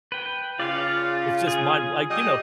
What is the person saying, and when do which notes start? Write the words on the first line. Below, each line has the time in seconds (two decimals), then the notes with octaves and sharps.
It's just mind like, you know?
0.12 B4 G5
0.60 C#3 F4 D5 F5
1.48 G#4
2.11 G3 D5 D#5